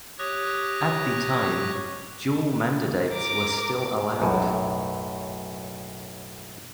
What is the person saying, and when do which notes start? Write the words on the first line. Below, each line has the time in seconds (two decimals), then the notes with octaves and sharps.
At the time, dual mandates were still allowed.
0.19 G4 C#5 C#6 D#6 F#6 A#6
3.11 A#4 D6
4.20 B1 F#2 A2